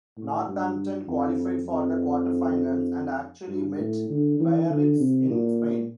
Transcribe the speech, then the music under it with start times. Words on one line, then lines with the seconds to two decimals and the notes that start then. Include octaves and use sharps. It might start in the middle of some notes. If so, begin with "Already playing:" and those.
Northampton qualified for the quarter-finals and actually met Biarritz in Spain.
0.17 A2
0.47 G2
1.07 F2
1.67 F2
3.49 G2
3.79 A2
4.10 D3
4.40 E3
4.70 D3
5.00 C3
5.30 A#2